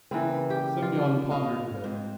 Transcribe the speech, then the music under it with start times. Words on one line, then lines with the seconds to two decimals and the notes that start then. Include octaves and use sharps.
Semyon pondered a bit.
0.11 C#3 E3 A#3 C4 B4
0.50 G4
0.82 F4
1.30 D#5 F5
1.84 G#2 C4